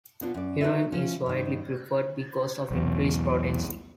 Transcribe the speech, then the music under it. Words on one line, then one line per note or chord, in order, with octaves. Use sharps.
Heroin is widely preferred because of increased potency.
B2 B3 D4 F4
F#2 D5
D#4 F#4 B4 C5 E5
F3 C#4
G2 D#3
B1 E2